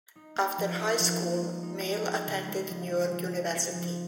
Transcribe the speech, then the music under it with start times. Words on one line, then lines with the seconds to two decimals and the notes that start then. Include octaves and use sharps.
After high school, Mele attended New York University.
0.16 D#4
0.36 A#3
0.58 F3
0.78 D#4
0.99 F3
1.21 A#3
1.42 G#3
1.63 D#4
1.84 D#4
2.05 G#3
2.27 C#3
2.48 G#3
2.69 F3
2.90 F3
3.12 F3
3.32 D#4
3.54 C4
3.74 F3